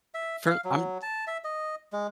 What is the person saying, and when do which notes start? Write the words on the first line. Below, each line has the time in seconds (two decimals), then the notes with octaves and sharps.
for I'm
0.14 E5
0.47 F5
0.65 F#3
1.02 A5
1.27 E5
1.44 D#5
1.93 G#3